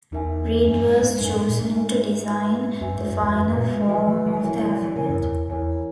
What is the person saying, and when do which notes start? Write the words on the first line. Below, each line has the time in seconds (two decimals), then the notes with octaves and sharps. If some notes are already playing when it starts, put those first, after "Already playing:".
Read was chosen to design the final form of the alphabet.
0.12 E2 D#4 A#4 E5 G#5
0.66 F#2 D#4 A#4 E5 G#5
0.85 G#2
1.02 G#2
1.20 F#2 D#4 A#4 E5 G#5
1.33 G#2
1.48 A#2
1.61 G#2
1.74 D#4 A#4 E5 G#5
2.27 F#4 B4 E5 G#5
2.81 F#2 F#4 B4 E5 G#5
2.94 G#2
3.08 F#2
3.21 E2
3.35 F#2 F#4 B4 E5 G#5
3.53 A#2
3.70 G#3
3.88 E3 F#4 B4 E5 G#5
3.98 F#3
4.07 E3
4.16 F#3
4.26 E3
4.35 F#3
4.42 E3 E4 A#4 C#5 G#5
4.54 F#3
4.63 E3
4.74 F#3
4.82 E3
4.96 C#3 E4 A#4 C#5 G#5
5.09 F#2
5.23 E2
5.49 E2 E4 A#4 C#5 G#5